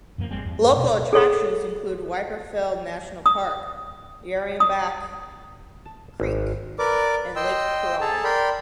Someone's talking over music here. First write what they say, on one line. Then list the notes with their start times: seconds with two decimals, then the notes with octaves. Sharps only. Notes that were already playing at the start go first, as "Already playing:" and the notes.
Local attractions include Wyperfeld National Park, Yarriambiack Creek and Lake Coorong.
0.18 F#2 F3 A#3
0.31 G#1 G3 G#3 C4
0.45 E2
0.59 G2
0.77 D#1 B2
1.13 G#4 A4 C#5 C6
3.26 D#6
4.60 D#6
5.86 A5
6.20 G#1
6.79 A#4 B4 D5 D6
7.36 D#5 G5 C6 E6
8.01 G#4 A4 A5 A#5
8.24 A#4 D5 G5 B5 C6